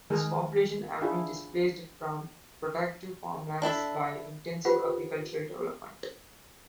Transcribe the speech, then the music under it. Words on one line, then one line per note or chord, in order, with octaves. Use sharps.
These populations have been displaced from productive farmlands by intensive agricultural development.
D#3 G#3 G#4 A#4
D4 E4 F4 G#4
D4 E4 A4 E5
F4 G4 B4 C5 F#5